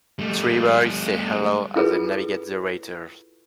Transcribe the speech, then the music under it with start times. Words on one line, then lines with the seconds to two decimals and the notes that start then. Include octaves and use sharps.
Three boys say hello as they navigate the waters.
0.19 G3 A3
1.76 E4 F4 G#4 A4 B4